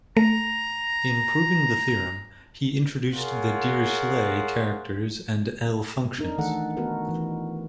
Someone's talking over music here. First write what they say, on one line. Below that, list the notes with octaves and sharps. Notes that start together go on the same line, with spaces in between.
In proving the theorem, he introduced the Dirichlet characters and L-functions.
A3 A#5
F4 G#4 A#4 C#5 F#5
D4 D#4 A#4
D#3 E3 A3 A4 F#5
A3 B3 D#4 F#4 A#4 B4
E3